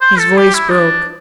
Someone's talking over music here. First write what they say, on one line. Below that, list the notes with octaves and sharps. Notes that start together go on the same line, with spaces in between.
His voice broke.
C5
A4
G4
E4
D4